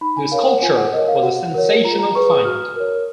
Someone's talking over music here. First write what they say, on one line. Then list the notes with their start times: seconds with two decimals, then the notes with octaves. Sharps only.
The sculpture was a sensational find.
0.01 D#4 B5
0.17 G#5
0.31 A#4 C#5 F5
0.47 F#5
0.62 F4 G#5
0.77 F#5
0.93 A#4 C#5 D#5
1.08 F5
1.23 F#4 F#5
1.54 A#4 C#5
1.84 F4 A#5
1.99 A#5
2.15 G#4 B4 C#6
2.31 D#6
2.45 F#4 F6
2.76 A#4 C#5